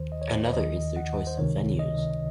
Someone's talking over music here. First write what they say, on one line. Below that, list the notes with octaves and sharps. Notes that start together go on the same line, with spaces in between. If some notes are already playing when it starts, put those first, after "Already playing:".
Another is their choice of venues.
Already playing: D#2 D#3 C5
D#5
C#5
C5
C#5
D#2 D#3 D#5
F#5
C5
C#2 C3 D#3 C#5
D#5